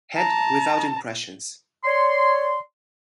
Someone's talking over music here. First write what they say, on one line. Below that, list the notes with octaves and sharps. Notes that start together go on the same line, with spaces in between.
Head without impressions.
A5 A#5
C#5 D5 C6